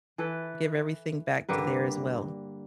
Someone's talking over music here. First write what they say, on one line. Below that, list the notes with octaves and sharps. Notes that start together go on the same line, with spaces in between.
give everything back to there as well.
E3 A4 B4
G2 D3 A#3 B4